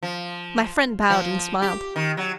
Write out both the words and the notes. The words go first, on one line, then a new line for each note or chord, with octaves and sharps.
My friend bowed and smiled.
F3
F3
G4
D#3
F#3